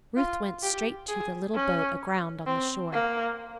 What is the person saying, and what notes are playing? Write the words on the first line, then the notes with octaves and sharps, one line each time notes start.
Ruth went straight to the little boat aground on the shore.
F4
G4
G#4
C#4
C4
A#3